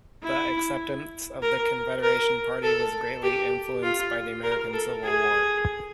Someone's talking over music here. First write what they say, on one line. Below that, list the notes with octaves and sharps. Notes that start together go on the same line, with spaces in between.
The acceptance of the Confederation Party was greatly influenced by the American Civil War.
E4
A#4
A#4
A4
G4
F4
A#4
A4
G#4